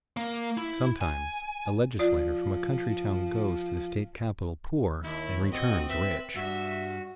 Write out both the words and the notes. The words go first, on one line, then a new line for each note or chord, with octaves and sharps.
Sometimes a legislator from a country town goes to the state capital poor and returns rich.
A#3
E4
G#5
F3 F4 D5
D#2 E4
C4 F#4 D#5
B4 E5
G2 F#4 E5